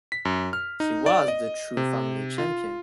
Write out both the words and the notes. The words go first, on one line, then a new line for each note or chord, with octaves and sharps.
He was the true family champion.
B6
F#2
F6
D#4
D5
D#5
C3
F4